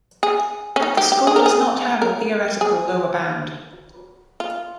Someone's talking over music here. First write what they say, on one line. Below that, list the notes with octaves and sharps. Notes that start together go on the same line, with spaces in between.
The score does not have a theoretical lower bound.
G#4
C#4
D#4
G4
G4
G#4
A#4
G#4
A#4
G#4
F4